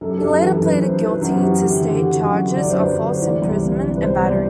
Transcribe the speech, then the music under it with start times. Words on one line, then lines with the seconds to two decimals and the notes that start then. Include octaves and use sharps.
He later pleaded guilty to state charges of false imprisonment and battery.
0.01 F#2 A4
0.09 G4
0.18 F#2 A4
0.41 E3 B4
0.53 A4
0.61 F#2 B4
0.81 E3 C5
1.02 E3
1.08 B4
1.22 F#2 F#4
1.35 G4
1.42 E3
1.62 D3 G4
1.81 D3
2.02 D3 F#4
2.22 F#2
2.42 D3
2.57 D5
2.62 F#2
2.70 C5
2.82 F#2 B4
3.02 D3
3.14 C5
3.22 E3 D5
3.42 C2
3.49 D5
3.63 C3
3.76 D5
3.82 C2
3.97 B4
4.02 C2 C5
4.22 C2 D5